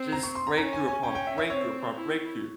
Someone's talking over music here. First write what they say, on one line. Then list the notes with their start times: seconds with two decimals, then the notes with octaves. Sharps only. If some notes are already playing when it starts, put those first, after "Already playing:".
Just breakthrough, upon breakthrough, upon breakthrough.
Already playing: C4
0.12 A#5
0.23 C#6
0.35 C6
0.47 A#5
0.57 C#4 A#5
0.73 G#5
0.88 G#5
1.03 C#4 G5
1.15 G5
1.27 E5
1.38 E5
1.50 C4 C#5
1.96 E4